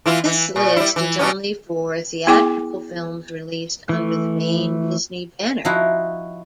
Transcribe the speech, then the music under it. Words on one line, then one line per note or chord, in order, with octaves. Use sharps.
This list is only for theatrical films released under the main Disney banner.
E3 E4 F4
E3
A#2
G3 E4
E3
B2 G3 C#4
B3 E4 G#4 G5 G#5 D6
E3 A3
F3 D#4 E4 F#4